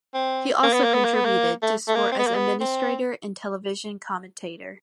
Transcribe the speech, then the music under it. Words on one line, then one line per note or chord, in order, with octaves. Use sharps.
He also contributed to sport as administrator and television commentator.
C4
A#3
B3
A#3
B3
A#3
B3
A#3
A3
A3
A#3
C4
B3
A#3
B3
C4